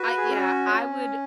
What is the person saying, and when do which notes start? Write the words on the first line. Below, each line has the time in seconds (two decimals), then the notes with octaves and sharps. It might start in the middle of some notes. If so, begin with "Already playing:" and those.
I Yeah, I would
Already playing: F#4 B4
0.17 G#4
0.29 C#4 F#4
0.70 C#4